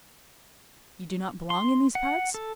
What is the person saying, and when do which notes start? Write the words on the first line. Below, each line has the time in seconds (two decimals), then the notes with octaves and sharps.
"You do not belong in these parts?"
1.50 C6
1.95 F#5
2.34 A4